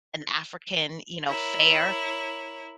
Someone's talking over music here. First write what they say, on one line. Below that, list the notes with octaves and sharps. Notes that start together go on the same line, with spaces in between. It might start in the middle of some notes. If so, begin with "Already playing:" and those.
an African, you know, fare,
E4 A#4 C#5